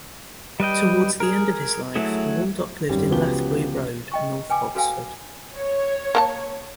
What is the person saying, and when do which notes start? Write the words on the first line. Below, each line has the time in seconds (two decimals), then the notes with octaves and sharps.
Towards the end of his life, Waldock lived in Lathbury Road, North Oxford.
0.60 G3 B4 D#5 G5
1.20 G#4 A#4
1.95 F#3 A3 E4 G#4
2.89 G#1 F#2 G3
3.11 C#2 F3 B3 F#4 G4 G7
4.12 D#5 G5 C#6
4.50 B4 G5 G#5 D6
4.75 F#4 A4 B4 F5 G5 G#5
5.56 C#5
6.15 A#3 A#4 A5